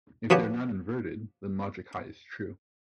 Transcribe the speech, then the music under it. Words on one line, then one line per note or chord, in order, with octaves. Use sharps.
If they are not inverted, then logic high is true.
F3 B3 F#4 G4 C#5